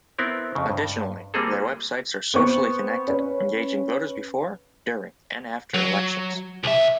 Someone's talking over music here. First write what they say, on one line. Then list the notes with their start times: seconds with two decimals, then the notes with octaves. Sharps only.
Additionally, their websites are socially connected, engaging voters before, during, and after elections.
0.19 B3 C4 E4 A#4
0.55 F2 C#3
0.70 G2
1.34 G3 A#3 C4 G#4 A4
2.34 B3 C4 C#6
3.08 C#4 B4
5.74 F#3
6.63 C2 E5